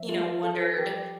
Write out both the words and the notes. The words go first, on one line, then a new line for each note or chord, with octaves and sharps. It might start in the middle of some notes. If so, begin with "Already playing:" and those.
you know, wondered
Already playing: F3 E5
F4
A4
G4